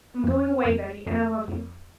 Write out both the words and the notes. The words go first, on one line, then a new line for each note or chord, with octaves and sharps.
I'm going away, Betty, and I love you.
F2
F2
F2
F2